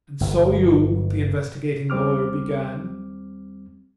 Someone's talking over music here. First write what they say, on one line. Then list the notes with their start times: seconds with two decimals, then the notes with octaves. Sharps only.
"And so you--" the investigating lawyer began.
0.21 G1
1.90 D#2 G3 C4 D6 F6